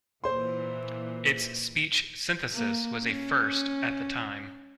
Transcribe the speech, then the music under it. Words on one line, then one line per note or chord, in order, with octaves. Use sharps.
Its speech synthesis was a first at the time.
A#2 E3 C5 C6
A#3
C#4